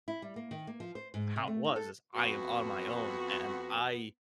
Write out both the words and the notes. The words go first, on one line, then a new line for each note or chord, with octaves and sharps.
how it was is, "I am on my own," a and I
E4
G3
A#3
D#3
A#3
F3
C5
G#2
C3
A3
D#4
A4
F2 B3 F#4